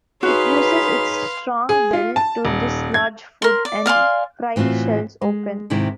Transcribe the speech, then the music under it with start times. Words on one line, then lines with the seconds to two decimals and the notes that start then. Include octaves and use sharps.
It uses its strong bill to dislodge food and pry shells open.
0.23 D#4 F#4 G#4 B4 C#5 F5 C6
1.69 G#4
1.93 F4
2.16 A5
2.45 D#1
2.94 G#6
3.42 A#4 C6
3.65 D5
3.86 D5 F5 G#5 C6
4.56 A2 E3 C4 F4 F#4
5.22 G#3
5.70 G#2 C3 D#3 E4